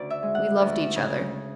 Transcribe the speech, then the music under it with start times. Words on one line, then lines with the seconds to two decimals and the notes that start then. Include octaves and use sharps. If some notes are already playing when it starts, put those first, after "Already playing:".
We loved each other.
Already playing: D2 C#3 D5
0.10 E5
0.23 G#3
0.35 F#5
0.60 D2
0.96 C#3